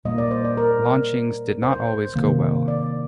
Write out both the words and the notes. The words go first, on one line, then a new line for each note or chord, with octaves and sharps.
Launchings did not always go well.
A#2 G3 A#3 D#5
D5
C5
D5
A#4
C5
C3 D#3 A#3
D5